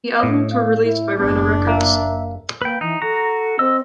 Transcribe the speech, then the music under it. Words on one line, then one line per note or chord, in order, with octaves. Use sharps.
The albums were released by Rhino Records.
A2 C#5 D#5
F5
E4
F#1 B3 D4
A#3 E5
A#3 B4 G5
E3 D#4
F#4 A4 A#5
C4 D#5 E6